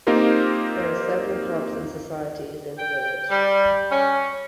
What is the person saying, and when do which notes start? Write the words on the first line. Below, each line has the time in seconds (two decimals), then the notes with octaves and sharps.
There are several clubs and societies in the village.
0.07 A#3 C4 D#4 F4 G4 A#4
2.77 G5
3.30 G3
3.91 C#4